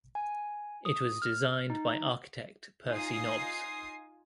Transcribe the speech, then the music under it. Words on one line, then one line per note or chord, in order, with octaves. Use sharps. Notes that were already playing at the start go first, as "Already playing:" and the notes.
It was designed by architect Percy Nobbs.
G#5
D#6
F6
D#4
D#4 F4 G#5 D#6 C7